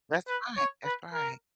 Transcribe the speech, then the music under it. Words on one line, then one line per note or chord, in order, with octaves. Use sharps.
That's right, that's right.
B4
C#5
B4
A#4